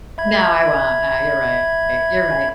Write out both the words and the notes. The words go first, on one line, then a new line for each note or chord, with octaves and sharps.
No, I won't, nah, you're right, you're right.
E5 B5 G#6